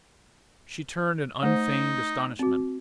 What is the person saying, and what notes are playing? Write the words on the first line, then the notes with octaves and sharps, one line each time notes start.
She turned in unfeigned astonishment.
A3 D#4 C5
C4 F#4